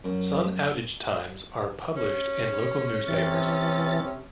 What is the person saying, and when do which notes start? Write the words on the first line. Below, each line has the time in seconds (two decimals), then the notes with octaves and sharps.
Sun outage times are published in local newspapers.
0.04 F#2
1.96 C#4
3.08 C3 E3 A6